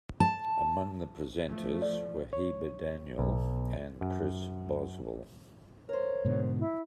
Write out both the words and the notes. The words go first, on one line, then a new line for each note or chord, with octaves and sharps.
Among the presenters were Hiba Daniel and Kris Boswell.
A5
F3 A3
D5
C#5
B1
F#2
A#4 C5 C#5
G#2 B2 D3
E4